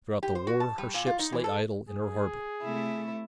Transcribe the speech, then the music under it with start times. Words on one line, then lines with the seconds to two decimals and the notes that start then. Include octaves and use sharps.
Throughout the war her ships lay idle in her harbour.
0.23 G4
0.35 C5
0.47 F#4
0.60 A5
0.78 G3
0.94 A#2
1.06 F4
1.19 D#4
1.32 E3
1.44 A4
1.89 G#4
2.63 C3 A3 E4